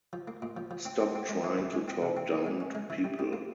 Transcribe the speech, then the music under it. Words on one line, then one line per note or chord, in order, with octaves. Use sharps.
Stop trying to talk down to people.
F3
A#3
A#2
F3
F3
C4
C4
C4
G#3
E3
E2
G#3
C4
C3
C4
C4
G#3
C#4
G#3
E3
G3
G3
A#3